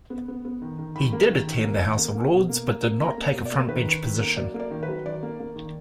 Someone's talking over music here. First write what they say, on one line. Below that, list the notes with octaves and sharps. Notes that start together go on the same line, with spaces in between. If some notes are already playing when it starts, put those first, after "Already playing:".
He did attend the House of Lords but did not take a front-bench position.
B3
B3
B3
D#3
D#3
D#3 B5
A#3
D#3
D#3
A#3
D#3
A#3
A#3
B2
A#3
A#3
A#3
A#3 A#5
A#3
B2
D5
A#3
D#3 B4
D#3
D#3
A#3
F#3 D5
A#3
D5
D#3
B4
F#3
D#3 D5
A#3
A#3
D#3